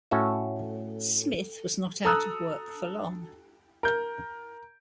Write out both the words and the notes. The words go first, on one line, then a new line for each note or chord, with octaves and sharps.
Smith was not out of work for long.
A2 C#4 F#4 A4 E5
A4 A#5 D#6 E6 F#6
A#4 G6